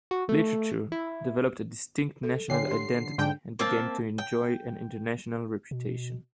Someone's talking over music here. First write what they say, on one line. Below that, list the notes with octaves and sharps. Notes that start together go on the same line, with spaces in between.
Literature developed a distinct national identity and began to enjoy an international reputation.
F#4
A3
E4
A4
D3 C#5 G5 G#5 C7
G4 C6
G#2 D3 G5
A#3 C4 E5 A5
G5
B2